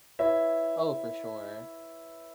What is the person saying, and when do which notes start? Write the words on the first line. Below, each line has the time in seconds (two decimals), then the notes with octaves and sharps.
Oh, for sure.
0.19 E4 B4 C#5 E5